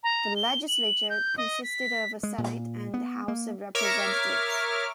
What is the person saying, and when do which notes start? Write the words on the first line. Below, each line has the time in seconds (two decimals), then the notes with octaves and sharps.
The legislature consisted of a Senate and House of Representatives.
0.04 A#5
0.36 G7
0.68 F#7
1.10 G6
1.38 D#5
1.63 B6
2.23 G#3
2.38 A#2
2.94 B3
3.28 A#3
3.75 A#4 C#5 E5 D6 F6